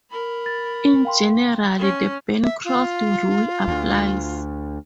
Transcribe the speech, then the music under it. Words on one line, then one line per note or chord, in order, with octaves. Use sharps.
In general, the Bancroft rule applies.
A#4 B5
A6
F5 G5 C6
C#4
E5
F4
D2